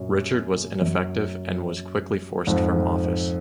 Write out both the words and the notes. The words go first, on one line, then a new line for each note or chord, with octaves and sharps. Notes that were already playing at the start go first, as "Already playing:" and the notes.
Richard was ineffective, and was quickly forced from office.
Already playing: F#2 A#2
F#2
F2 G#2